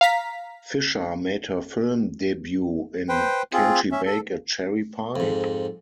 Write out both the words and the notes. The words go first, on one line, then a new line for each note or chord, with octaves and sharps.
Fisher made her film debut in Can She Bake a Cherry Pie?
F5 A#5 B6
B4 C5 G5
C4 F4 G#4
C#4 E5
A4
F2 G#2